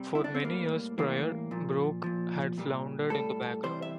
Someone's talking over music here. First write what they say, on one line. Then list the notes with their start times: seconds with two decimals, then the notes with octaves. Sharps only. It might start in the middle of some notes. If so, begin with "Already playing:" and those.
For many years prior, Brooke had floundered in the background.
Already playing: C3 G3 C4
0.15 E4
0.24 D4
0.35 C4
0.44 A2 G3 A#3
0.98 A2 E3 G3 A#3
1.51 A#2 F3
2.04 A#2 F3
2.58 A#2 G3
3.10 A2 G3 A4
3.63 C3 E3 G3 C5
3.82 E5